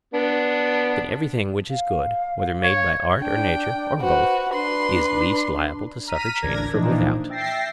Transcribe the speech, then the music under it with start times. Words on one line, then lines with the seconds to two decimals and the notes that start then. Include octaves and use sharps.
Then everything which is good, whether made by art or nature, or both, is least liable to suffer change from without?
0.14 B3 D4
1.70 F5
2.63 C#5
3.20 D4 G5
4.01 F#4 B4 C5
4.52 D4 B4 C6
6.07 A#5 F6 B6 D#7
6.42 A1 D2 D4 A#4 G#6 A#6
6.73 A#2 E3 F3 D4 D#4
7.29 E5 G5 A6 A#6 C7